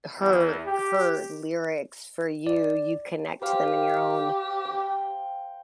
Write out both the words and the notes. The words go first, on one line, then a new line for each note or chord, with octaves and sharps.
her her lyrics for you, you connect to them in your own
E2
G4
D5
G4 C5 F5 G5
G5